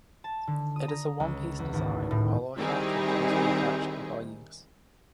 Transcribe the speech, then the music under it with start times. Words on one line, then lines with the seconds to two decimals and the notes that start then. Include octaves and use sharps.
It is a one-piece design, although a cartridge must be attached before use.
0.24 A5
0.47 D3
0.76 D#6
0.88 A#5
1.20 C#2
1.59 E2
1.74 G#1
2.11 A2
2.57 D#3 G3 C4 D#4 E4 G#4